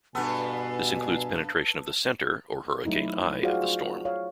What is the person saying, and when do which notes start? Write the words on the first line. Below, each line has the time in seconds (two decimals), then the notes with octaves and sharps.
This includes penetration of the center or hurricane eye of the storm.
0.15 G2 B2 B3 A4 B4 G#5
2.85 F#3 A3 D#4 E4
3.43 F4 F#4 G#4 C5 D5 F5
4.05 C#5 F5